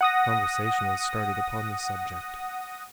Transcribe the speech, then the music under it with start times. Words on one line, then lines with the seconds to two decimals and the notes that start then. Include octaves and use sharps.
Conversation was started upon this subject.
0.01 F#5 D#6 A#6